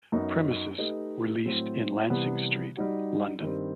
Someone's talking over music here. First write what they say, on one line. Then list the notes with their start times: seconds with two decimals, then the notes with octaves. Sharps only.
Premises were leased in Lancing Street, London.
0.12 F#2 F#3 B3 D#4
0.78 A3 D#4 G4 B4 D#5
1.45 A2 F#3 C4 E4
2.10 C3 E3 G3 B3
2.77 G3 D#4 F#4
3.42 G2 D#3 G3 C4